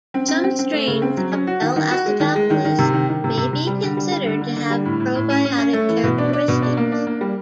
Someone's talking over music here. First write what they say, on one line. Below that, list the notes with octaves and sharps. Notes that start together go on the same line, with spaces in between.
Some strains of "L. acidophilus" may be considered to have probiotic characteristics.
C4
C4
C4
C4
A3
C#3
C4
F#3
C#4
F#4
D#3
D#3
F#4
G#3
D#3
G#3
D#3
D#3
C3
D#3
D#3
C3
C3
C3
G3
D3
G3
G3
D3
D3
D3
G3
A2
A2
A2
C#4
C#4
C#4
A3
E3
B2
D4
D4
B2
D4
A#3
D4
A#3
G3